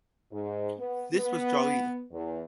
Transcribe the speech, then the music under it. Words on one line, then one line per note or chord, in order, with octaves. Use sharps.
This was Zhaoyi.
G#2
B3
B3
E2